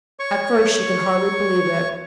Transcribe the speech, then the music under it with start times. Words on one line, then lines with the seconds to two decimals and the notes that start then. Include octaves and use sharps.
At first she could hardly believe it.
0.19 C#5 C#6